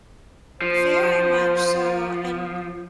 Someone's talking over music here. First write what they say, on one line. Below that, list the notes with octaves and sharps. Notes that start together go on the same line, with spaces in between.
Very much so, and
F3 C5